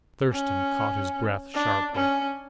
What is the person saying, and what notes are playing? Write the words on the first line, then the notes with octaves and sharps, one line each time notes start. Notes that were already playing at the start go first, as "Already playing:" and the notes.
Thurston caught his breath sharply.
C#4
D4
C#4